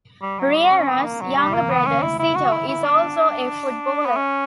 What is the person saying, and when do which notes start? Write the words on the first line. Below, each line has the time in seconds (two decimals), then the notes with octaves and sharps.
Riera's younger brother, Sito, is also a footballer.
0.22 G3
0.39 F#3
0.55 G3
0.72 C#4
0.88 B3
1.04 A#3
1.21 F#3
1.37 G3
1.54 A#3
1.70 B3
1.87 C#4
2.03 E4
2.19 E4
2.36 F#4
2.52 E4
2.68 E4
2.85 D4
4.06 B3
4.16 C#4